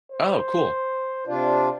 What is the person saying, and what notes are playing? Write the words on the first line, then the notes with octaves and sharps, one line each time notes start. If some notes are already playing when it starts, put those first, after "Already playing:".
Oh, cool.
C5
C3 D4 F4 D5